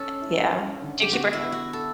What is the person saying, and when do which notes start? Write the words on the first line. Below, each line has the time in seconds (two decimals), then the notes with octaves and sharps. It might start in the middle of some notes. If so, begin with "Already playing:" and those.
Yeah. Do you keep her hair
Already playing: C#4 A4
0.22 E4
0.52 C#4
0.82 D3
1.02 G4
1.12 B3 F#4
1.33 E4
1.43 B3
1.52 F#4
1.73 A4